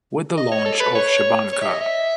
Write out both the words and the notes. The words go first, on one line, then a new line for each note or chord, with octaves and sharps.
With the launch of Che Banca!
D#5
C#5
A4
B4
C#5
C#5
E5
D#5
E5